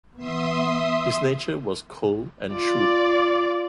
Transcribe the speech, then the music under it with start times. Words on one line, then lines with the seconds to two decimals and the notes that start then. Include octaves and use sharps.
His nature was cold and shrewd.
0.17 E3 B3 E5 C6 D#6
2.52 F4 D5